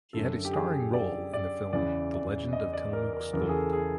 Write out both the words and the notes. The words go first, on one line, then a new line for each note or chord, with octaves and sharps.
He had a starring role in the film "The Legend of Tillamook's Gold".
F#2 D3 A4
G4
G#4
D5
D5
E2 C#3 E3 D5
D5
D#5
D5
A#4
A#4
E2 C#3 E3 A#4
A4
G#4
A4
G#4